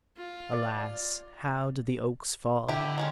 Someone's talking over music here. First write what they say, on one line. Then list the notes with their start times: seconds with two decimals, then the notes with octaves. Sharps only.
Alas! how do the oaks fall?
0.17 F4
0.53 D5
2.68 D3 E4 G4
2.98 D#3 G#3 C#4